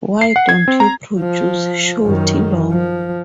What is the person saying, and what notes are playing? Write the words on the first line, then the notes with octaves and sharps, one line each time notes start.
Why don't you produce Shorty Long?
C7
F#5
G#6
C4
A#5
F3
F#2 D#3
F3